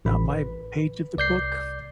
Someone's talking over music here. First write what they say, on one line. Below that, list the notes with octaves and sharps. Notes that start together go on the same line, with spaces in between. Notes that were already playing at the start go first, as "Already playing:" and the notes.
not my page of the book.
A1 B5
B4
C2 D5 G6 C7